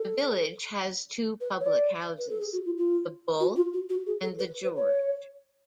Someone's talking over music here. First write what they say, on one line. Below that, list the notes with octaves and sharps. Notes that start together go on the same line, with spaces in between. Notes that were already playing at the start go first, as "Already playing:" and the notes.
The village has two public houses - The Bull and The George.
Already playing: A4
B4
C#5
D5
B4
A4
G#4
F#4
F4
F4
F#4
F4
F#4
F#4
G#4
A4
B4
B4
C#5